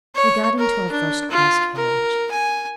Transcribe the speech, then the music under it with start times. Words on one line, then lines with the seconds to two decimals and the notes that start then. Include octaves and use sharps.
We got into our first-class carriage.
0.16 C#5
0.59 A#4
0.91 D4
1.31 F4
1.76 A#4
2.32 G#5